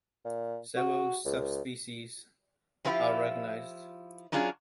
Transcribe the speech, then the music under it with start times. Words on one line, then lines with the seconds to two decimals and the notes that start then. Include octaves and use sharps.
Several subspecies are recognized.
0.25 A#2
0.77 F#4
1.25 C#2
2.85 F3 G#3 C4 E4 F4 G4
4.32 F#3 C#4 D4 F4 G#4